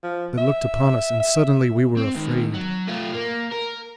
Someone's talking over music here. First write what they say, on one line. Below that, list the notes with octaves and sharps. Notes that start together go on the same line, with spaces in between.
But they looked upon us, and suddenly we were afraid.
F3
E5
E5
C4
G#2 D#3
F#3
A3 F4
A#3
A#4